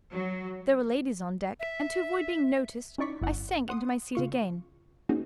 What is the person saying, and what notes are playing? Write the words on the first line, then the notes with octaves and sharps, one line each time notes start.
There were ladies on deck, and to avoid being noticed I sank into my seat again.
F#3
E5
C#4 D#4 E4 D5 C#6 B6
G1 E4 F#5
F#5 C6 D#6
C#3 F4 C#6
A#3 C4 C#4 D#4 F#4 G#4